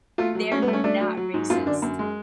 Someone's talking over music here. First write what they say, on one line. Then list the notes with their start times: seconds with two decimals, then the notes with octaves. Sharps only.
they're not racist.
0.18 A3 F4
0.35 F#3
0.51 A3 C#4
0.62 B3
0.68 A3
0.73 C#4
0.84 A3 D4
1.01 F#3
1.17 F#3
1.34 G#2
1.50 F#2 F4
1.66 D3 D4
1.82 F#2
1.99 G#3